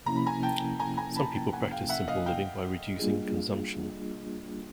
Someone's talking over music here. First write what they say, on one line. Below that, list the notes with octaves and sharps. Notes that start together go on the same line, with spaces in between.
Some people practice simple living by reducing consumption.
C3 F3 A#3 C#4 E4 A#5
B5
G#5 A#5
G5 A5
G#5 A#5
G#5 A#5
A5 B5
G5 A5
F#5 G#5
F5 G5
E5 F#5
D#5 F5
F5 G5
G3 A#3 D4 F4 G#4